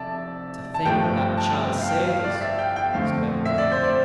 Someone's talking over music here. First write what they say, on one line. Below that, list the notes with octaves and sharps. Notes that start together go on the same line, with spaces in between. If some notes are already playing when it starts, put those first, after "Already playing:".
"To think that that child saved us!" exclaimed one of the men.
Already playing: F1 F2 D5 E5 A5
A5
G1 G2 F3 A3 G5
A5
F5
G5
F5
D5
D5
E5
G5
G5
F2 D3 A3 C4 F5
E5
D5
C5
D5